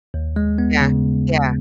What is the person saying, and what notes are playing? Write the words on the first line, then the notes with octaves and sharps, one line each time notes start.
yeah, yeah.
D#2
G#3
B3
C#3